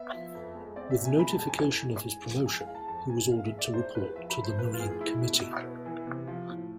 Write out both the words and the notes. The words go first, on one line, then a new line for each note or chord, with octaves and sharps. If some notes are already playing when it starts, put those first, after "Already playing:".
With notification of his promotion he was ordered to report to the Marine Committee.
Already playing: B3 E5
F3
F2
G#3
C4 D5
E5
B2
G#5
G#3 B5
A5
F2
G#5
E3
G#2
E2
F3
G#3 G#5
F5
E2
A5
F2 A5
E3 G#5
G#3 F5
E5
G#2
D5
E2 C5
E2 B4
F3 E5
B5
A3
C5
F3 B4
F4
A2 G#4
G#3 E4
B2
B2
B3
E3
C3
F3
A2